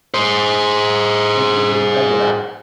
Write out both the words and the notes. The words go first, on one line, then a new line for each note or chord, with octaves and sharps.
and and just the fact that I
G#4 C5